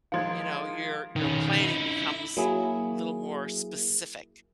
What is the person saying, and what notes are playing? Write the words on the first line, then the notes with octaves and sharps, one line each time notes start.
you know, your your planning becomes a little more specific.
D#3 F3 G#3 F5 C6 G#6
D#3 C#4
D#4 E4
F#3 A#3 E4 G#4